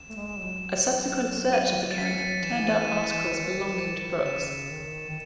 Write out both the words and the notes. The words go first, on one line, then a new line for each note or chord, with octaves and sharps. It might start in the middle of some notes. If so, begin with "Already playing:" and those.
A subsequent search of the camp turned up articles belonging to Brooks.
Already playing: E7
A3
G#3
F#3
D#7
D#7
A6
B6
C#7
D#7
E3 E7
D#7
E7
D#7
E7
E3 C#7
D#3 D#7
C#3 E7
D#3
D#3